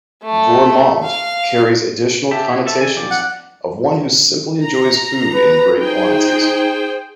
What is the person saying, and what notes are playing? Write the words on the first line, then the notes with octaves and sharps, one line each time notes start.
"Gourmand" carries additional connotations of one who simply enjoys food in great quantities.
A3
F5
G4 E5 A5
B2 E4
D3 A4 E5
D5 G#5
F2 D5
F#5
A#5
B4
D#4 G#4 C5 G5